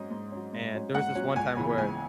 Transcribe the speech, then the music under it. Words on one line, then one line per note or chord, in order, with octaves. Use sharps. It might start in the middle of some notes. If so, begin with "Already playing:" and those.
and there was this one time where,
Already playing: G#2 F#3 C#4 D#5
G#2
F#3 C#4
G#2
F#3 C#4
G#2 F#5
F#3 C#4
C#2 G#5
C#3 E3 B3
C#2 G#5